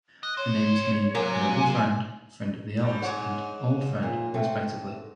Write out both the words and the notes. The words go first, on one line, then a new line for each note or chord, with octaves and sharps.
The names mean "noble friend", "friend of the elves", and "old friend" respectively.
D#5 F#6
G2 C5 C#5
C3 F#3 A#3 G#5
B2 G3
G#2 C#5 F#5
A#2
A3 C4